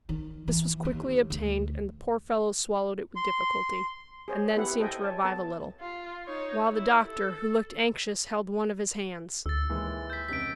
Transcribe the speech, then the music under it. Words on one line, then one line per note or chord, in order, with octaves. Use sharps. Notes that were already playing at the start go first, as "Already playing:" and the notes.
This was quickly obtained, and the poor fellow swallowed it with difficulty, and then seemed to revive a little, while the doctor, who looked anxious, held one of his hands.
D#3
E3
D#2
D2
C6
G#4 C5 C#5
B3 E4 G4 B4 E5 F#5
A4 C5 D#5 E5 G5 G#5
C#5 A5
B3 A4 A5
F4
D#4 C#5
E4
A4
D2 E6 A6
D#2 E3 G#3
G6 B6
F1 C#3 B6 D7